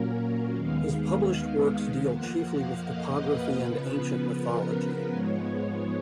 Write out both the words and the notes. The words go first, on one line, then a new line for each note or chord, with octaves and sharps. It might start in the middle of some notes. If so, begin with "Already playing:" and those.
His published works deal chiefly with topography and ancient mythology.
Already playing: A#2 F#3 A#3 C#4 A#4
D#2 D#3 G#3 B3 F5
F2 F3 A#3 F#5
F5
D#5
B4
C#3 F3 B3 B4
A#4
B4
G#2 F3 G#3 B3 C#5